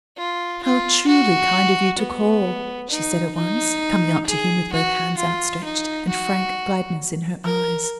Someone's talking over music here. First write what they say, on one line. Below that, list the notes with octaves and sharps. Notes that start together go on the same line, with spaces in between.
"How truly kind of you to call!" she said at once, coming up to him with both hands outstretched and frank gladness in her eyes.
F4
F4
F#4
B3
D#4
D#4
G#4
F#4
F4
D#4
F#4
A#4